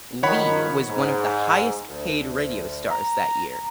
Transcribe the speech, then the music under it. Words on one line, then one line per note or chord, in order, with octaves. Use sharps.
Lee was one of the highest paid radio stars that year.
D#3 F3 C#5 F#5 B5
G#2
D2
A#5